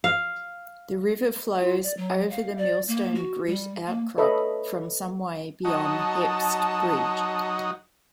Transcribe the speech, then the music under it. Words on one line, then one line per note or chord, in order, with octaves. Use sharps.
The river flows over the Millstone Grit outcrop from some way beyond Hepste Bridge.
F5
F4
D5
F#3
F5
D5
A#3
F#4
G3
A#3
A4 B4 C#5 D#5 E5 B5
F#3 D#4 A5